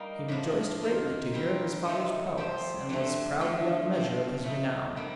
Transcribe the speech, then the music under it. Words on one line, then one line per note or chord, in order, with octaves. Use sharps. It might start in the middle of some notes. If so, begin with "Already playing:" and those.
He rejoiced greatly to hear of his father's prowess, and was proud beyond measure of his renown.
Already playing: G3 A#3 D#4
A2 F3 A#3 D4
D#3 A#3 F4
D3 G3 C4 G4 A#4
C3 D#3 A3 C4 D#4
F3 C4 G4 C5
F2 D3 A3 C4
D3 F3 A3
C3 F3 C4
A2 A3 D#4
C3 G3 A#3 D4